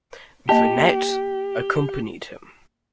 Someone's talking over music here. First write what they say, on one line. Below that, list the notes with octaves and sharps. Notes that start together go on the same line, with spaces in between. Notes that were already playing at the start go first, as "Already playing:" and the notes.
Vernet accompanied him.
A#3 G4 D#5 A5